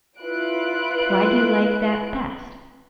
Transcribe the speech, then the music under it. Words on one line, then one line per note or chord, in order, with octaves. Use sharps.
"Why do you like that best?"
E4 F4 B4 F#6 D7